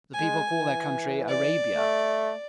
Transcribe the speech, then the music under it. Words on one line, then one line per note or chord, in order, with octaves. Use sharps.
The people call their country Arabia.
G#3 G#5
E3
D5
A3